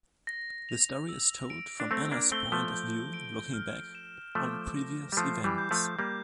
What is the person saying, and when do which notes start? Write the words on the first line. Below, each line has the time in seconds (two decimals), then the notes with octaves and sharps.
The story is told from Anna's point of view- looking back on previous events.
0.27 A#6
0.69 F7
1.09 E6
1.50 D7
1.80 D4
1.91 A3 C4 A#6
2.11 A#3 D4
2.32 A3 C4 G7
2.52 F3 A3
2.72 G6
3.13 D7
3.54 F6
3.95 E7
4.35 F3 A3 D6
4.76 A#6
5.12 G3
5.17 F3 A3 C7
5.44 E3 G3
5.58 G6
5.71 F3 A3
5.99 G3 A#3 G6